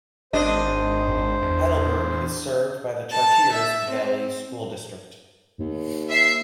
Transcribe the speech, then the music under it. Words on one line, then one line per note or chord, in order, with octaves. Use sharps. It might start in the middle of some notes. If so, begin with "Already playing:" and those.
Heidelberg is served by the Chartiers Valley School District.
G#1 D4 C5 D#5
E2
A5
E5
C4
D#2
E5 C7